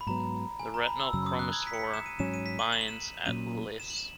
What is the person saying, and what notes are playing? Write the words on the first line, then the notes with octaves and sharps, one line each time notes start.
The retinal chromophore binds at Lys.
B5
G#2 F#3 B3 A#5
G#5
A#5
B5
E6
F#2 C#3 F#3 E6
D#6
F#6
G#6
B6
C#7
B6
E7
D#7
G#2 F#3 C#4 E7
D#7
B6
D#7
E7
F#7
E7
A#2 F#3 C#4 D#7
E7
F#7
E7